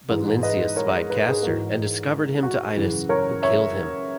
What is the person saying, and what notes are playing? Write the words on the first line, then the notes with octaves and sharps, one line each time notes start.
But Lynceus spied Castor and discovered him to Idas, who killed him.
G#2 E3
B4 D#5
A#4 C#5
B4
A#4
G#4 B4
G#2 E3 F#4 A#4
F#4
F#2 C#3 E3
A#4 C#5
C#5 E5